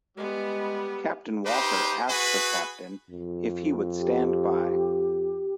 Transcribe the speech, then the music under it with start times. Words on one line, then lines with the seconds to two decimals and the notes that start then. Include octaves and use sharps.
Captain Walker asked her Captain if he would stand by.
0.17 G3 G#3 B3
1.46 D#4 G4 B4 C5
2.09 F#4 G#4 B4
3.10 F2
3.98 G4